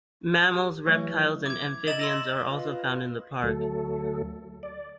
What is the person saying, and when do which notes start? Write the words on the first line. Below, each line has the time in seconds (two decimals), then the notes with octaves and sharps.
Mammals, reptiles and amphibians are also found in the park.
0.54 G4
0.86 E3 F#3 A3
1.46 E4 D6 G#6
1.87 E4 A#4 D#5 A6 E7 F#7
1.99 C6 E6 A#6
2.48 F4 B4 D#5
3.42 D2 F#3 A3 A4
4.63 D5